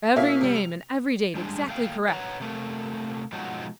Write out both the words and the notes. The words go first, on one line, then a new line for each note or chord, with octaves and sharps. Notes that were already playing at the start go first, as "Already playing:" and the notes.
Every name and every date exactly correct.
B2 A#3 C#4 E4 E5 F5
C3 G3
F7
G3 G#3 D4
A3 A#3 F5 G5
B4 C#5 E5 F#5 A#5
C3 A3 A#3
B2 F3 F#3 G#3 D#4 F#4